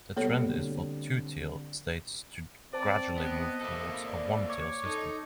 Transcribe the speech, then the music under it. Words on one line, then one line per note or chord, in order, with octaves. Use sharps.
The trend is for two-tier states to gradually move towards a one-tier system.
B2 G3 A#3 B3 A4 C#5
D3 G3 C4
C4 C5 D5 A5
B3 D#5
A#3 E4 A4
D5
C#5 D6
D#4 A4